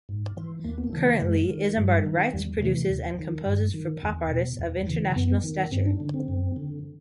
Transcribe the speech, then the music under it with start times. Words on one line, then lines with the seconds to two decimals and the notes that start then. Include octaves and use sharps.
Currently, Izambard writes, produces and composes for pop artists of international stature.
0.09 G#2
0.37 E3
0.64 D#2 A#3
0.78 B3
0.84 A#3
0.93 C#3 E3
1.02 A3
1.21 F#2 G#3
1.50 D#3
1.77 G2 G3
2.06 D#3
2.33 E2 G3
2.61 C3 E3 A3
2.90 D#2
3.19 D#3
3.46 G2
3.74 D#3
4.03 E2
4.30 B2
4.59 E2
4.87 C#3 E3
5.16 F#2 B3
5.44 D#3
5.71 G2 C4
5.86 D4
6.00 D3
6.14 C4
6.28 F#2
6.56 D3